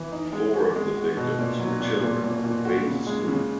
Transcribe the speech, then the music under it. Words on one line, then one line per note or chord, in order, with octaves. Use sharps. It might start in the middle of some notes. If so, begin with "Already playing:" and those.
Four of the victims were children on their way to school.
Already playing: E3
D#4
G#3
F#4
G#3
F#4
B2
A#2
F#3
A#2
A#2
A#2
A#2
F#4
C#3
G#3
C#3